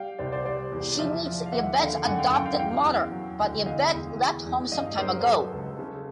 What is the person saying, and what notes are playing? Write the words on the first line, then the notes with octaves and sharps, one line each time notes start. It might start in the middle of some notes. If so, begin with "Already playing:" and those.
She meets Yvette's adoptive mother but Yvette left home some time ago.
Already playing: G3 F5 G5
C2 C5 D5
C5 D5
G3 C5 D5
E2
F3 D5 E5
F3
F5
D#2 E5 F#5
D3 F5 G5
F#2 F#5 G#5
F5 G5
F#2 F5 G5
F5 G5
E2 F5 G5
E2
F#3
D2
E2 D#5 F5
E2
E2
E2
G2 D#5 F5
G2 A#4 C5
C5
F#3 A4 B4
C#2
C#3